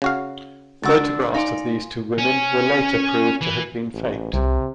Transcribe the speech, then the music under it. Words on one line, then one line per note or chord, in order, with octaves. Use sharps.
Photographs of these two women were later proved to have been faked.
C#3 F#4 F5
C#2 D3 D4 F#4 E6 A6
D#4 D5 F5 G#5 C6
C#4
E3
A1
C2 C3